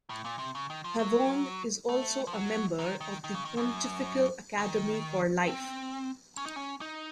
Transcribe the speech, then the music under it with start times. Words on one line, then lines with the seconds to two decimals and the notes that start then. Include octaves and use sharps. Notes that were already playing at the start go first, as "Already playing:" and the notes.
Pavone is also a member of the Pontifical Academy for Life.
0.10 A2
0.25 A#2
0.39 C3
0.55 C#3
0.70 D#3
0.84 F3
0.99 F#3
1.89 A3
2.27 F3
2.33 F#3
2.79 D#3
3.01 D#3
3.24 D#3
3.35 C#3
3.45 D#3
3.57 F#2
4.58 D#3
5.47 C4
6.37 C#4
6.46 D#4
6.56 C#4
6.81 D#4